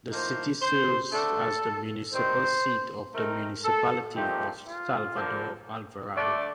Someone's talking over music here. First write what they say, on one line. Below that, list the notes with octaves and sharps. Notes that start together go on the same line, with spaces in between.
The city serves as the municipal seat of the municipality of Salvador Alvarado.
A2 F3 A#3 D#4 C5
C5
D3 A3 D4 A4
D#3 G3 C4 D#4 C5
A2 A3 C4 D#4 A#4
A4
A#2 F3 A3 C4 D#4 G4
F4
D3 F3 A#3 D4
D3 A3 D4 D5